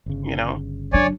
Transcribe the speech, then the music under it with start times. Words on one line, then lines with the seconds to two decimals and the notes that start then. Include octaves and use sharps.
you know,
0.06 G1 C#3
0.93 F#3 D4 C#5 D5 G#5